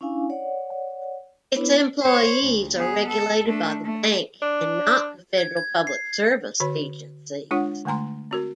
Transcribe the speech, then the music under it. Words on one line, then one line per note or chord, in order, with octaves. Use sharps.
Its employees are regulated by the bank and not the federal public service agencies.
C#4 D4 E4 F5 G#5
C#5 D5 F#5
B3 D4 E4 B4 C#5
C5 C#5
D2
B3 G#4
A4
A3 D4
A3
D4
G#6
G#6
C7
D3 F#4 C#5 B5
G#3 D4 F4 C#5 F#5
D3 G#3 A3 A#5 C6
C4 F#4 A#4